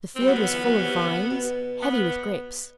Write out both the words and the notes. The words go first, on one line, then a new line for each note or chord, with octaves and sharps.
The field was full of vines heavy with grapes.
C4
G3
F#3 B3
D3
E3
F#3
C3
D3
B2
B3